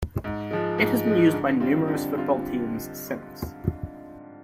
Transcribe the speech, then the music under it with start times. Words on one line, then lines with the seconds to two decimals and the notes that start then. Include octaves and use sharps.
It has been used by numerous football teams since.
0.24 G#2
0.51 F3 G#3
0.78 G#2
1.06 F3 G#3
1.33 D3
1.60 G3 C4 F4
1.88 D3
2.14 G3 C4 F4